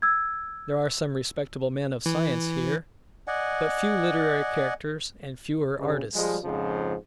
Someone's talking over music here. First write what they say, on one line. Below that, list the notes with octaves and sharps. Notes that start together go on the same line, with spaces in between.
There are some respectable men of science here, but few literary characters, and fewer artists.
E6 G#6
E3
D5 D#5 F#5 G#5
G2 C#3
F3 G3 G#3
F2 G#2 C#3 F3